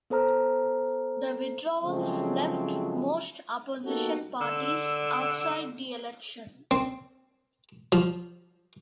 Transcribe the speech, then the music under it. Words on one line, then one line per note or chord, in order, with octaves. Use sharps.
The withdrawals left most opposition parties outside the election.
B3 A4 C5 A#5 F6
C#3 F3 F#3 G#3 A3 C4
A#3 B3 D#4 F#4 G4 A4
D3 E6
C4
F3